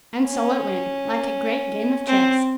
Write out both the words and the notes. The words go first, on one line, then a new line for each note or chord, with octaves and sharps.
And so it went-like a great game of chess.
C#4
C4